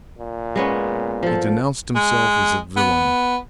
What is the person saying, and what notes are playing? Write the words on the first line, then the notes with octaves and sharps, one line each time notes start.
He denounced himself as a villain.
A#2
G#3 B3 C#4
F3 A4
G#3
B3